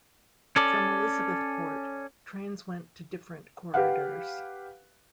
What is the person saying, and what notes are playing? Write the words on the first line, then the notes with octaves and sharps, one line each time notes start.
From Elizabethport, trains went to different corridors.
C#4 A4 D5
G4 B4 F5 F#5